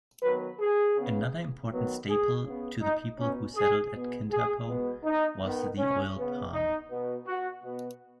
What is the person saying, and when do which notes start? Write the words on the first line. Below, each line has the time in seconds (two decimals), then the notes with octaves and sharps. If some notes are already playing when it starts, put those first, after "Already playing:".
Another important staple to the people who settled at Kintampo was the oil palm.
0.22 D#3 F#3 B3 B4
0.60 G#4
0.97 C#3 B3
1.71 D#3 F#3 B3
2.08 G#4
2.45 C#3 B3
2.82 D#4
3.19 B2 B3 C#4
3.56 G#4
3.93 B2 B3
4.30 G#4
4.67 B2 G#3 B3
5.04 D#4
5.42 D#3 B3
5.78 C#4
6.15 C#3 B3
6.52 D#4
6.90 B2 B3
7.26 F#4
7.63 B2 B3